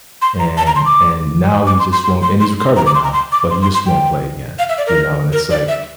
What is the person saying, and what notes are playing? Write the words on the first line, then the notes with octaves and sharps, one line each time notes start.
And and now he just won't and he's recovered now, but he just won't play again, you know, and it's like
C6
A#5
A5
A#5
C6
D6
D6
C6
C6
C6
C6
C6
C6
A#5
D6
C6
A#5
C6
D6
C6
C6
C6
G5
F5
E5
D5
A#4
A#4
D5
E5